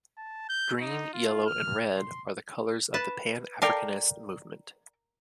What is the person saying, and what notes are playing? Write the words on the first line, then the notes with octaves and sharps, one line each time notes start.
Green, yellow and red are the colours of the Pan-Africanist movement.
A5
G6
D#4
F4
F6
C6
B4 A5
A4 A#4 D5 F5 G5